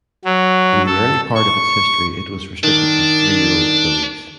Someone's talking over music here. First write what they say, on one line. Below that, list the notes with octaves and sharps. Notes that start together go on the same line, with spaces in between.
In the early part of its history it was restricted to three-year-old fillies.
F#3
A4
C#6
D#3 D4